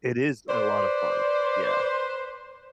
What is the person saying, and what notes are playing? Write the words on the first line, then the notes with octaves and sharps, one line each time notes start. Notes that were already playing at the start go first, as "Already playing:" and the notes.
It is a lot of fun. Yeah.
B4 C5 D5